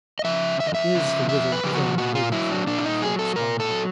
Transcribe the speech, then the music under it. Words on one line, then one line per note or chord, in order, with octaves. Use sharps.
What is the withered thing waiting for, before expiring?
D#5
C#3 F3 E5
F2 E5
D#5
E5
C#3 F3
F2 E5
B4
C#3 F3 G4
F#4
A#2 F#4
F4
F#3 E4
D4
A#2 D4
E4
D#4
F#3 G#4
A4
A#2 A#4
A4
F#3